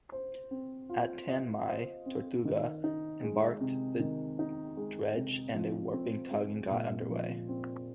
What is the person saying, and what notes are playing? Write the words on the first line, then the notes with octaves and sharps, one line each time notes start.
At Tan My, "Tortuga" embarked the dredge and a warping tug and got underway.
C5
C4
F4
D#5
C5
C4
D#3
D#4
G#3
C3
D#3
D#4
G#3
C3
F3
C4
G#3
A#2
F3
C4